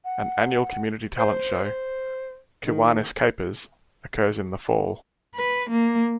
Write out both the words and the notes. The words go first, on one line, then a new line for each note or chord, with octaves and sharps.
An annual community talent show, Kiwanis Kapers, occurs in the fall.
F#5
C5
C5
D#3
B4
A#3